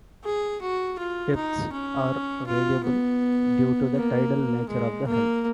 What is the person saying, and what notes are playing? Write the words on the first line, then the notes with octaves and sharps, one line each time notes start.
Depths are variable due to the tidal nature of the Hull.
G#4
F#4
F4
D#4
C#4
F4
B3
A#3
G#3
A#3